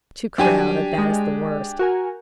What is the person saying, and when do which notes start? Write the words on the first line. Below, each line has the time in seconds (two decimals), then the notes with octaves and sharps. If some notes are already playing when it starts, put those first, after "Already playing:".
Too crowded, that is the worst.
0.38 F#3 G3 D4 G4 G#5
0.98 G#3
1.79 F#4 A#4 G#5